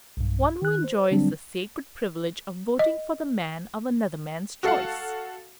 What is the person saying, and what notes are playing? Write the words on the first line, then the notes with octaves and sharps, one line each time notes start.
One who enjoys the sacred privilege of voting for the man of another man's choice.
B1 G2
D#3 F#6
C5
D3 F#3 G3 C4 D4
D#5
F#4 A4 F5 F#5